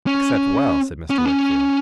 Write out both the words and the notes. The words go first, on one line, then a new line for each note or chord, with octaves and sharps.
'Except well?' said Mr. Wickfield.
C#4
C#4
B3
C#4